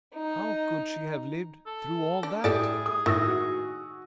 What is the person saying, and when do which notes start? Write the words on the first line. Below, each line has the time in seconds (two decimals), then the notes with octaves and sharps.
How could she have lived throughout all that?
0.16 D#4
1.67 A4
2.23 D4
2.44 A2 G3 G#4 A4 D5
2.86 D#6
3.06 A2 D#3 E6 A#6
3.27 F#4